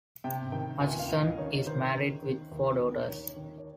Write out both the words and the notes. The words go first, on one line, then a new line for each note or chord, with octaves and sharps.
Hutchison is married with four daughters.
C3 G5
D#3 G5
C#2 G#5
F5
C#2
D#5
D#3 C#5
D#3 C5
D#3
D#3
D#2
D#3
D#3 C#5
D#3
C#5